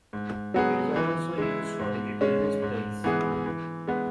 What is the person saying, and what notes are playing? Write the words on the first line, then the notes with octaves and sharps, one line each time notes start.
It is also used for digital displays.
G#2
F#3 B3 G#4
E3
G#3 E4
G#2
G#3 C#4
G#2
E3 B3 G#4
E3
G#3 B3